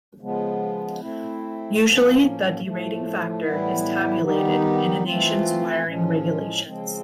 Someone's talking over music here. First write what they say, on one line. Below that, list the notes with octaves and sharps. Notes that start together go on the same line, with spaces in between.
Usually the derating factor is tabulated in a nation's wiring regulations.
C#3 F3 G#3 B3
A3 C4 E4
A2 F3 A#3 C#4
A2 F3 A3
A2 E3 G3 B3 E4
D#3 G3 B3 D#4 G4
E3 A3 C4 F4
A2 F3 G#3 C#4
C#3 F3 G#3 C4